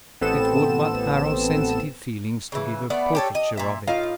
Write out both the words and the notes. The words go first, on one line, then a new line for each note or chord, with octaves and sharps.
It would but harrow sensitive feelings to give a portraiture of it.
A1 B3 C4 A4 E7
C#3 E3
A3 B3 D5 F#5
G4 A4 C#5
D#5
A#2 E5
A2 D#4 F4 F5